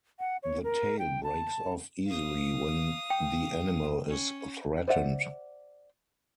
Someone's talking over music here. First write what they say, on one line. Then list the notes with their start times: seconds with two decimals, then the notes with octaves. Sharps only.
The tail breaks off easily when the animal is threatened.
0.19 F#5
0.43 C#5
0.64 A#4
0.99 G5
1.24 A5
2.07 F5 D#6
3.10 G5
4.09 C#4
4.88 C5 D5 E5 F#5